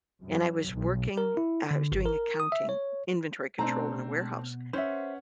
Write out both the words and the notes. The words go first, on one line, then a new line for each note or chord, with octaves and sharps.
And I was working uh, I was doing accounting, inventory control in a warehouse.
F#2
B1
A#4
E4
D3
G#1
A#4
D#6
E5
C#5
B2 A3 C4 D4 A#5
C#4 B4 C5 E5 F#5